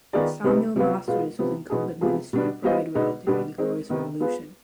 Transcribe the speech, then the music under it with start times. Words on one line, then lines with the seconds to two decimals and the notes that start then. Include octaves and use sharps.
Samuel Masters was incumbent minister at Bridewell during the Glorious Revolution.
0.13 D#3 B3 F4 G#4 D5
0.44 C3 G3 B3 D#4 B4
0.76 C3 F3 B3 F4 B4
1.07 B2 G#3 B3 F4
1.39 C3 F3 B3
1.70 B2 B3 D#4 G#4
2.01 C3 F3 B3 F4 G#4
2.33 B2 G3 B3 D4
2.63 G3 B3 F4 C5 D#5
2.94 B2 G#3 B3 D#4 B4
3.27 B2 G3 B3 D4 G4
3.58 G#3 C4 D#4
3.89 C3 D#3 B3
4.20 B3 F4 G#4 B4